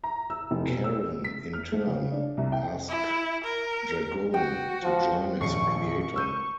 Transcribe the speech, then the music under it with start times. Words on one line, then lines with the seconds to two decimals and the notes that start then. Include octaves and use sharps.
Caron, in turn, asked Dragone to join as a creator.
0.04 A#5
0.30 E6
0.51 F1
0.67 B2
0.84 E6
1.24 B6
1.53 F6
1.72 A3
1.87 C#3
2.12 D4
2.37 C2
2.52 G5
2.89 E4
3.44 A#4
4.34 F#4 G5
4.83 F3
5.41 D#1 A#1 C#6 C7
6.16 E6 G6 D#7